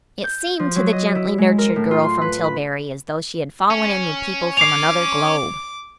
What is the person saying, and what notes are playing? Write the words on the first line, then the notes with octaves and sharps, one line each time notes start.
It seemed to the gently nurtured girl from Tillbury as though she had fallen in with people from another globe.
G6
F3
F#3
D#5
E4
G#3
A#4
A2
F4
C6
B4
B5
C#4
D6 C7 F7